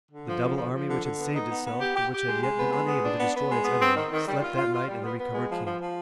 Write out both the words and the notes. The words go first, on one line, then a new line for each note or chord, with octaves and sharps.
The double army which had saved itself, but which had yet been unable to destroy its enemy, slept that night in the recovered camp.
D3
F3
D3
F3
F3
D3
D3
B3
D#4
B3
B3
G4
G4
G4
G#3
G#3
B3
G#3
B3
D4
B3
B3
G#3
B3
C4
D#3
D#3
G3
F4
F4
F4
G3
B3
B3
G#3
F3
F3
F3